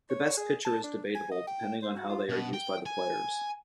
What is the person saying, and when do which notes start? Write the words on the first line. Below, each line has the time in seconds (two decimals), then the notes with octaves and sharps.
The best pitcher is debatable, depending on how they are used by the players.
0.10 C#5
0.37 G#4
0.65 A5
0.83 D4
1.15 G#5
1.31 D#5
1.47 G5
1.83 C5
1.96 F#4
2.09 F4
2.29 B2
2.54 G5
2.86 G#5